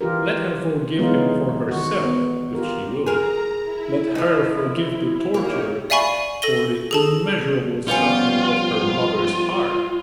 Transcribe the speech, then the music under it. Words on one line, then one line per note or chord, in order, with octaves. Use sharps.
Let her forgive him for herself, if she will, let her forgive the torturer for the immeasurable suffering of her mother's heart.
E3 F4 G4 A#4
E3 F#3 G#3 B3 D#4 F4
D#3 F#4
B3
F4 G4 A#4
G#4 A#4 A#5
E4
F3 D#4
A#3 D#4 G4 C#5
D5 E5 F5 G#5 B5 C#6
A4 A#6 D#7 G7
G#4 A4 A5
F3 G3 B3 C#4 F4